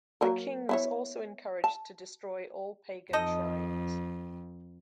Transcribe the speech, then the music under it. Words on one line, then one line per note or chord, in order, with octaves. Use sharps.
The king was also encouraged to destroy all pagan shrines.
F#3 A#3 A#4
B3 E4 C#5
A5
F2 D#4 A4 D#5